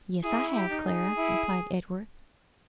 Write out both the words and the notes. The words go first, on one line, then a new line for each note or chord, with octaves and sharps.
"Yes I have, Clara," replied Edward.
E4 F4 G#4
G4
D#4
G#4
E4